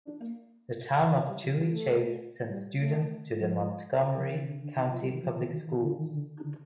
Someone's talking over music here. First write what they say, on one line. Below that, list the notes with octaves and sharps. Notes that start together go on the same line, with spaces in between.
The town of Chevy Chase sends students to the Montgomery County Public Schools.
D4
A#3
G3
F3
G3
A3
G3
A3
F3
F3
D#3
D3
D3
D#3
F3
G3
D#3
F3
D#3
D#3
D#3
D3
D#3
D3
D3